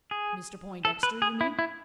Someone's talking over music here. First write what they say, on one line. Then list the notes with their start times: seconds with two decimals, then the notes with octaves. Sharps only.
"Mr Poindexter, you mean?"
0.11 G#4
0.85 A4
1.03 B4
1.22 G#4
1.41 E4
1.59 E4